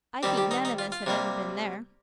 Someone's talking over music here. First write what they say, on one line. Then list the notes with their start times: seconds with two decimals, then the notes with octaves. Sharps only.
I think none of us have ever been there.'
0.23 D#3 G3 C4 G4
0.38 G4
0.51 D#4
0.65 D#4
0.79 F4
0.92 F4
1.06 C3 G3 A#3